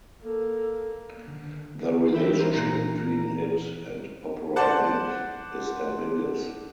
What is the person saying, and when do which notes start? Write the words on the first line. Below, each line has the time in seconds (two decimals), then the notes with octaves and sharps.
The relationship between it and "opera length" is ambiguous.
0.23 A#3 A4
1.28 D3
2.14 E3 B4 E5 G5
2.36 A#4 C5
2.54 A#2 A#5
4.56 C5 D5 F#5 A5 F#6